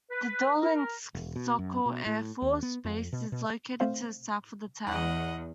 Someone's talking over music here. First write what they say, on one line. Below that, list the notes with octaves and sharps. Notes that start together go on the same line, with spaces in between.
The Dolinsk-Sokol air force base is located to the south of the town.
B4
A#4
E1
B2
F#2
B2
A2
D#2
B3
F2
B2
B2
A3 C4 C5 F5
E2 D#5 F#5